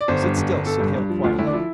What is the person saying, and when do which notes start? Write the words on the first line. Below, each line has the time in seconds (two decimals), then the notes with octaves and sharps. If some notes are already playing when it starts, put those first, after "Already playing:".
"Sit still," said Hale, quietly.
0.01 D5
0.08 G1 C5
0.22 G2
0.37 G1
0.52 G1
0.66 G1 A4
0.80 G2
0.95 G2
1.09 F3
1.24 D2 F4
1.38 D2 E4
1.47 D4
1.53 F3 E4